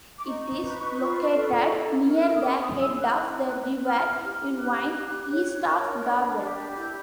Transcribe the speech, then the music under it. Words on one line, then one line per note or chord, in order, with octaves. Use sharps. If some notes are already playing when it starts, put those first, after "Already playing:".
It is located near the head of the River Irvine, east of Darvel.
D6
D#4 C#6
B4
F4
A4
E4
A#4
F#6
F6
E6
D#6
G#4 D6
D#6
E4 E6
F#6
D#4 F#6
B4
E4 F6
G4
F6
D#4 F#6
G4
C#5
A#4
D4
G4
E4 G6